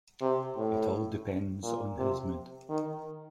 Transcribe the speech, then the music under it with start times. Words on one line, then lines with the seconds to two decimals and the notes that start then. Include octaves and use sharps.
It all depends on his mood.
0.22 C3
0.57 A2
1.63 A#2
1.98 C3
2.69 D#3